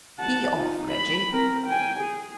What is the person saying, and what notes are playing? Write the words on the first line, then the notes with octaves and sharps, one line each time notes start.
"Be off, Reggie!"
F#5 A5
D#4 F4
B5
C4 A#4
G5 G#5
G#4